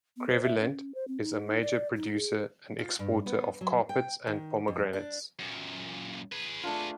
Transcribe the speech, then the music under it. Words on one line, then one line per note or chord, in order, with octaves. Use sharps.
Crevillent is a major producer and exporter of carpets and pomegranates.
B3
C5
E5
C#4
C5
C4
D#4
D5
D#4
G#4
F4
G2
B3
F#3
G5
D#3
F2
D4
F#2 A#2
G#4 B4
A3 D4 F4